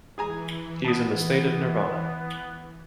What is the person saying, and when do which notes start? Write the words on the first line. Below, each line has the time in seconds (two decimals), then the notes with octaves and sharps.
He is in the state of Nirvana.
0.18 E3 G#4 G#5 A#5
0.84 B3 A5 D#6